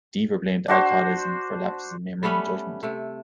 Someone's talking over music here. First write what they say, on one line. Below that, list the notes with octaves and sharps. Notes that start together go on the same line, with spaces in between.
Deaver blamed alcoholism for lapses in memory and judgment.
D4 F#4 C5
G3 A3 B3 C#4
C3 A3